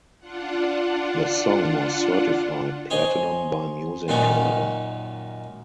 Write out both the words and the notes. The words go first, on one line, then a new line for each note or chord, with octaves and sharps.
The song was certified Platinum by Music Canada.
D4 F4 F#5
C5 C#5 D#5 G#5
F#2 A#2 D#3 A#3 C#4 D#4